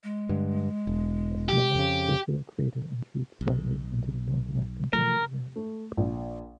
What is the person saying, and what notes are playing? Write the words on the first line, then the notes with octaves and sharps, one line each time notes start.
A small, circular crater intrudes slightly into the northwestern part of the rim.
G#3
G2 D3
E1
G4
F2 C#3
B1
E3 F3 A3 A#4
A3
A#1